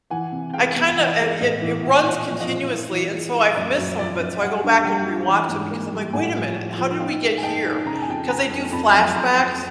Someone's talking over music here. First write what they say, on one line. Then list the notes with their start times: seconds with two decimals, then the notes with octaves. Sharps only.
I kinda a it it runs continuously and so I've missed some of it, so I go back and rewatch it because I'm like, "Wait a minute. How did we get here?" 'Cause they do flashbacks
0.10 E3 F#5 G#5
0.32 C3
0.53 G#3 F5 G5
0.76 B3
0.89 F5
0.97 E3 E5 F#5
1.18 G#3
1.40 A2 D#5 F5
1.62 E3
1.83 A#2 E5 F#5
2.05 A#2
2.12 D#5 F5
2.27 F3
2.40 D#5 F5
2.48 A#2
2.70 E4
2.91 E3
3.13 G#3
3.34 E4
3.55 F#2 D5 E5
3.78 F#2
3.98 F3 D5 E5
4.20 F#2
4.42 G3 E5 F#5
4.64 D4
4.85 G3 F5 G5
5.06 D4
5.28 E3
5.49 G#2
5.71 A#3
5.92 G3
6.13 A2 F#5 G#5
6.35 F3
6.57 F3
6.78 F3
7.00 D#4 F5 G5
7.22 G#3
7.38 G#5
7.43 D#4 G5 A5
7.65 D#4
7.86 C#3 A#5
7.95 A5
8.02 G#5
8.08 F2 G5 A5
8.29 C#3 G#5 A#5
8.51 F2
8.72 F2 A5 B5
8.94 F#3
9.15 F2 A#5 C6
9.37 F2